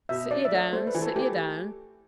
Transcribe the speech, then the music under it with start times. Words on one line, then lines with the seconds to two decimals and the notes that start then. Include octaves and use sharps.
'Sit ye down, sit ye down.
0.09 B2 E5
0.31 D4 D5
0.45 E5
0.52 A3
0.59 D5
0.73 A3 C5
0.87 B4
0.95 E3
1.02 A4
1.15 A3 G4